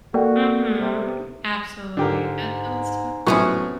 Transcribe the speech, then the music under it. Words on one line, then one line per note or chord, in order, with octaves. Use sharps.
Mhm, absolutely, that sounds so cool.
A#3 F#4 A4 D5 G5
C3
G#2 D3 G4 A#4
A2 C3 F#3 B3 C#4 C#6